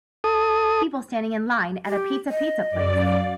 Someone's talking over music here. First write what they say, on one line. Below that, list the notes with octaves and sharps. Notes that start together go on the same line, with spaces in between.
People standing in line at a Pizza Pizza place.
A4 D#6
G4
D#5
F#2 D5
F5